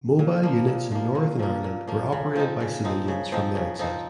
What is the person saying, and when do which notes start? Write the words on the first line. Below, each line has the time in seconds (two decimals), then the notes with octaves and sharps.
Mobile units in Northern Ireland were operated by civilians from the outset.
0.19 A#2
0.43 F3 A#3
0.67 A#2
0.92 F3 A#3
1.15 A#2
1.39 F3 A#3
1.64 A#2
1.88 F3 A#3
2.12 C#3
2.35 F3 C4 D#4
2.60 C#3
2.84 F3 C4 D#4
3.08 C#3
3.32 F3 C4 D#4
3.55 C#3
3.79 F3 C4 D#4